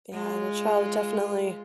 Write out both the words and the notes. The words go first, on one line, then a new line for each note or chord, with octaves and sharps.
Yeah, and a child, definitely
G#3 F4